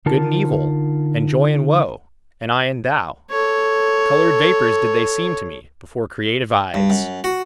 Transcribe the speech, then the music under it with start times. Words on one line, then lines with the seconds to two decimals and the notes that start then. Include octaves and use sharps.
Good and evil, and joy and woe, and I and thou--coloured vapours did they seem to me before creative eyes.
0.06 D3 D#4 F4 A#4 A5
3.30 A4 C#5
6.74 G2
6.90 F#2
7.24 F#4